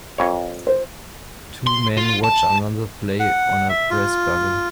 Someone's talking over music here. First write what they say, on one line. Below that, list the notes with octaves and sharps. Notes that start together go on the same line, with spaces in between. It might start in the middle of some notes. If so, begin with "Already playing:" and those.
Two men watch another play on a brass bugle.
F2 C#5
C5
C6
F4
A5
F#5
E5
F4